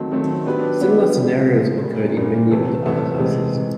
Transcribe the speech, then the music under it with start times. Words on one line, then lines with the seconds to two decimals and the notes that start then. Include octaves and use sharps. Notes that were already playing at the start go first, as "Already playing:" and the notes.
Similar scenarios occurred in many of the other houses.
Already playing: D#3 F#3 A3 C4
0.12 D#3 F#3 A3 C4
0.46 F#3 B3 D4 G4 B4
0.81 F#3 B3 D4 G4 B4
1.15 C#3 F3 G#3
1.48 C#3 F3 G#3
1.83 A#2 G3 A#3
2.17 A#2 G3 A#3
2.51 C3 E3 A3
2.85 C3 E3 A3
3.19 C3 E3 G#3
3.54 C3 E3 G#3